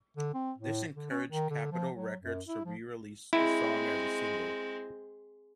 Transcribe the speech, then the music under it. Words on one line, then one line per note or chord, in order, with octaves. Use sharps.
This encouraged Capitol Records to re-release the song as a single.
D3
C4
A2
D3
C#4
D#3
D3
F3
F#3
F#2
E4
F3
G#3 C4 E4